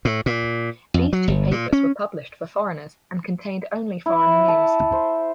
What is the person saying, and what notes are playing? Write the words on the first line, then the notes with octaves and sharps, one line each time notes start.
These two papers were published for foreigners, and contained only foreign news.
A2
A#2
F2
F#3
G1
A#2
C#4
E4
A5
C5